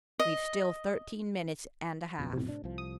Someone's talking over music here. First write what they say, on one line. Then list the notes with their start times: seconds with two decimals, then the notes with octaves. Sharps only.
"We've still thirteen minutes and a half."
0.19 D#5
2.19 B1 F2 B2
2.33 A2 C3
2.49 D4
2.64 C2 F3
2.78 D#6